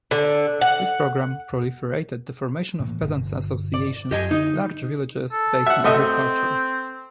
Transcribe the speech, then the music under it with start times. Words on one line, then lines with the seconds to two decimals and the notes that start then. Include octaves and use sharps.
This program proliferated the formation of peasant associations, large villages based on agriculture.
0.11 D3
0.61 F#5
2.80 A2 E3 A#3
3.02 G1 B2
3.74 D5
4.11 F#2 G4 D#5 G#5
4.31 D3 D#4 D#5
5.32 A4
5.66 E5 F#5
5.84 A3 C4 D#5 E5